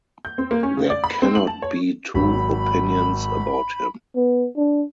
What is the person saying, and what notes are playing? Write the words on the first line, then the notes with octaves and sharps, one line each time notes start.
There cannot be two opinions about him.
G6
C4
A#3
C#4
C#3
D5
B5
C4
F#7
A5
C#5
G#1 F#3 B5
B3
D4